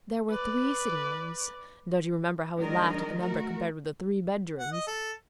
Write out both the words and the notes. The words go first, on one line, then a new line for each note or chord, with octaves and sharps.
There were three sitting-rooms; don't you remember how we laughed at the number compared with the three bed-rooms?
B4 D5
D#3 F#3 G#3 D4 A#4 D#5
A3 F#4 A#4
F#5
D#5
A4